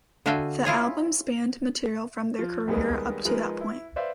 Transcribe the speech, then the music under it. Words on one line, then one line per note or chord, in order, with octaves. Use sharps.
The album spanned material from their career up to that point.
D3 F#4 E5 F5 G5 G#5
E4 F4 G#4 C#5
F3
D#2 D#3 G3 G#3 A#3 B3
F3 G#3 D#4 A#4 B4
E4
B4 C5 D5 E5 F5